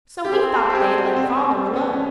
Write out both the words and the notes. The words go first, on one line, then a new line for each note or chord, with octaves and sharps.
So he thought they'd let Father alone.
G4
C4 G#4
A4
G4
G#4
F#4
C4
C4
B3
C#4